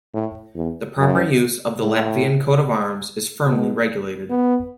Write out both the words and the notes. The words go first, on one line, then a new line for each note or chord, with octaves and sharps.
The proper use of the Latvian coat of arms is firmly regulated.
A2
E2
F#2
A2
B2
B3